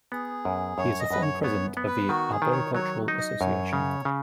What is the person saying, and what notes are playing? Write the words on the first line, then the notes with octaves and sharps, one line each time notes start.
He is a former president of the Arboricultural Association.
B3 G#4
F#2
F#2 C#5
D#5
F#2 B4
C#5
B3 C#5
B3
B4
D#3 F#4
G#4
D#3
C#5
F#3 C#5
D#4
D#5
F#2 C#5
C#3
C#3